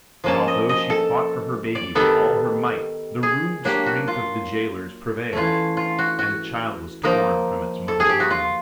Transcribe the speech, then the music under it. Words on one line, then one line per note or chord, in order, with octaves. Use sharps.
But although she fought for her baby with all her might, the rude strength of the jailers prevailed, and the child was torn from its mother's arms.
F3 A#3 C#4 A5
D#5
D#5
A4
D5
D#3 G3 B3 A4
G#4
F#3 A#3 D4 G4
F#4
F4
E3 A3 C#4 F4
F4
F#4
F#4
F3 A#3 D#4 A#4
A4
G#4
G4
F#4
F4